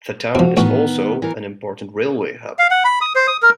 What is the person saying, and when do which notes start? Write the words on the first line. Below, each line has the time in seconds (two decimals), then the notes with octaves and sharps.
The town is also an important railway hub.
0.35 C3 F3 F#4
0.57 A1 D#3 B3 F#4
1.22 E3 A#4
2.59 F5
2.71 F#5
2.84 B5
3.01 D#6
3.15 C5
3.27 D#6
3.42 A#4